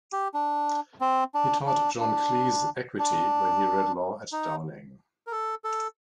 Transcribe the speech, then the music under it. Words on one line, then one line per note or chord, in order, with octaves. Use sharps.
He taught John Cleese Equity when he read law at Downing.
G4
D4
C4
D4
D4
D4
D4
D#4
A#4
A4
A4